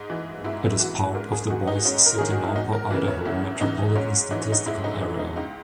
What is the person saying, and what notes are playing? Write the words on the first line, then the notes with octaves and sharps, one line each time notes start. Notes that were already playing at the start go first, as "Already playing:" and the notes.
It is part of the Boise City-Nampa, Idaho Metropolitan Statistical Area.
Already playing: G#2 D#4
E3
G#2 E4
E3 F#4
G#2 A#4
G#4
D#3 F#4
D#4
G#2 C#4
A#4
D#3 G#4
F#4
E4
E2 D#4
A#4
C#3 E3 B4
C#5
E2 E4
C#3 E3 D#4
G#2 C#4
E3 D#4
C#4
D#4
G#2 E4
D#4
E3 D#4
D#4
C#2 D#4